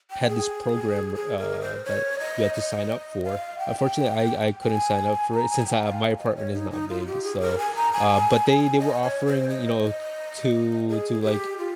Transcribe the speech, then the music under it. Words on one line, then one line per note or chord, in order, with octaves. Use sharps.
had this program where, uh, that you had to sign up for, unfortunately, I I couldn't sign up for it since I my apartment is not big, so, uh but they they were offering, you know, to to, like,
G5
G#4
G#4
A#4
C5
C#5
D#5
D#5
F5
G5
G#5
A#5
G#5
G5
F5
D#5
C#5
D#4
D#4
F4
G4
G#4
A#4
G#5
A#5
G#5
D#5
C#5
C5
D#5
G#4
G4
F4